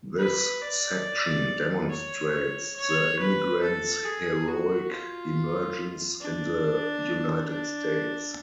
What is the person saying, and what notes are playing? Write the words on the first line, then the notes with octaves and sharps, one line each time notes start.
This section demonstrates the immigrants' heroic emergence in the United States.
B4
D5
C#5
C#5
B4
A4
G#4
F#4
F4
D4
D4